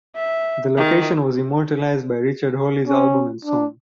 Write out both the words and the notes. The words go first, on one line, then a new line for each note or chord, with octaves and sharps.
The location was immortalised by Richard Hawley's album and song.
E5
D#3
C#4
D4